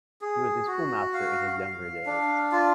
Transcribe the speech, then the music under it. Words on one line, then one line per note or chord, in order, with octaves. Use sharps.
He was a schoolmaster in his younger days.
G#4
F#4
F5
F5
D4
F4